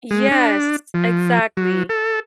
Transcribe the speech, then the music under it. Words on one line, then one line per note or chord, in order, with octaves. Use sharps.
Yes, exactly.
G#3
D4
F3
F#3
A4